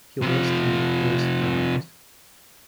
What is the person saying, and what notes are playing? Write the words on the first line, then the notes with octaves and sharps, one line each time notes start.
He lost in the first round.
C3 F3